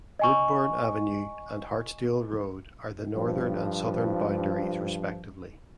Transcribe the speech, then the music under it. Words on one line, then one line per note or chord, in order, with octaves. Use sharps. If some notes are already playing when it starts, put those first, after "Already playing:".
Woodbourne Avenue and Hartsdale Road are the northern and southern boundaries respectively.
D#5 G#5 C#6
G2 F3